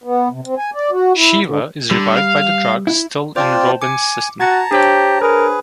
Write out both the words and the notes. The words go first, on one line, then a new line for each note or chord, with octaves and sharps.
Shiva is revived by the drug still in Robin's system.
B3
C3
C4
G#5
D5
F#4
E4
D3
D3 G3
F5
E4
C4 F4 C5 D5 G5 A5
G#5 D6 C#7
F#4 A5 A#5 G#6 A6 C#7
D4 G4 C5 C#5
G#4 A#4 B4